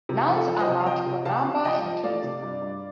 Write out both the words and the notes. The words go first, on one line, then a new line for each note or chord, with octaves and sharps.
Nouns are marked for number and case.
C3
F3
A4
F3
C5 D#5
C3
F5
F3 D#5 G5
C3
C3 F5 A5
C3
F3 D#5 G5
F3
A3 D5 F5
C3
G2
G2